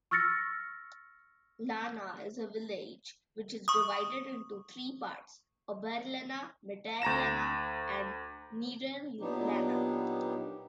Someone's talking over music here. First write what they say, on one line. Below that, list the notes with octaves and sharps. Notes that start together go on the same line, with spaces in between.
Lana is a village which is divided into three parts: Oberlana, Mitterlana and Niederlana.
C#6 E6 F6 A6 A#6 C#7
C#6 D#6
D2 A#5 A#6 E7
A#2 F#3 B3 D4 D#4 G4